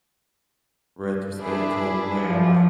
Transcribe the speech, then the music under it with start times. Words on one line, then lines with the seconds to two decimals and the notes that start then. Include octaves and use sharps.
retrospect to where, like,
1.40 D4 E4 G#4
2.21 F3